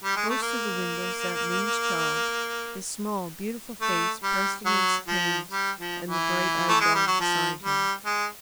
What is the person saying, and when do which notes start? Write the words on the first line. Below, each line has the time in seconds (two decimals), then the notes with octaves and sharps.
Close to the window sat Min's child, his small, beautiful face pressed against the panes, and the bright-eyed dog beside him.
0.04 G3
0.16 G#3
0.29 A3
0.42 A#3
3.81 A3
4.23 G3
4.65 F#3
5.08 F3
5.51 G3
5.78 F3
6.07 E3
6.68 A3
6.80 G#3
6.94 G3
7.07 F#3
7.20 F3
7.62 G3
8.05 G#3